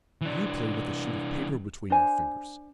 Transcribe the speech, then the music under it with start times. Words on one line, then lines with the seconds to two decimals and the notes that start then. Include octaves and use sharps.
You play with a sheet of paper between your fingers.
0.21 E3 D4
1.90 D4 C5 G#5